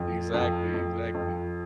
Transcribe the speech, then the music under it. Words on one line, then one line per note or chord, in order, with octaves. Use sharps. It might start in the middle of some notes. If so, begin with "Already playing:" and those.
Exactly exactly,
Already playing: F2
F2
F2
F2